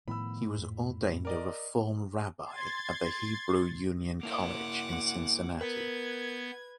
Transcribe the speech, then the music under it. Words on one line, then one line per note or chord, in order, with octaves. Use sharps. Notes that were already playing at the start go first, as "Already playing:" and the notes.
He was ordained a Reform rabbi at the Hebrew Union College at Cincinnati.
A2 D#3 F3 B3 B5 E6
F2 G#2
A#4 D5 D#5
C6 G#6 A6
A#3 E4 A#4 F#5 D6
B3 A#4 B4 G#6